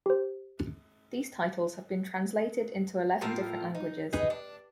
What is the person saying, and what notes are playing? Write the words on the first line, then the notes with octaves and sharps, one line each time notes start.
These titles have been translated into eleven different languages.
G4 C5
A2 F3 F4 A#4
D#4
D#4 G#4 B4 D#5
D4